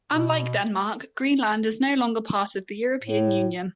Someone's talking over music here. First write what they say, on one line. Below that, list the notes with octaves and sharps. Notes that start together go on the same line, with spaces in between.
Unlike Denmark, Greenland is no longer part of the European Union.
B2
A2